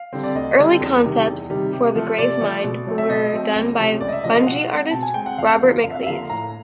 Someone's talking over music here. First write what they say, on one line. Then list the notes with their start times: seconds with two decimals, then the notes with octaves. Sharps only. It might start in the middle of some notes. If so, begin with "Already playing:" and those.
Early Concepts for the Gravemind were done by Bungie artist Robert McLees.
Already playing: F5
0.13 D3 G3 C4
0.23 D5
0.35 D2 D#5
0.58 D3 G3 C4
0.81 E2
1.04 C3 D#3 G3
1.27 E2
1.50 C3 D#3 G3
1.73 C3
1.96 F3 A3
2.18 C3 D5
2.41 F3 A3
2.64 B2
2.87 F#3 A3 C4
2.98 E5
3.10 B2 D#5
3.33 F#3 A3 C4
3.56 C#2
3.78 C3 F3 A3 C#4
4.01 C#2 D5
4.08 D#5
4.12 E5
4.24 C3 F3 A3 C#4 D#5
4.35 F5
4.47 B2 F#5
4.70 G#3 C4
4.91 B2 A5
5.03 G#5
5.14 G#3 C4 G5
5.26 F#5
5.38 F2 F5
5.61 D3 F3 A#3
5.84 F2 F5
5.91 E5
5.95 F5
6.03 E5
6.07 D3 F3 A#3 F5
6.30 A2 A#5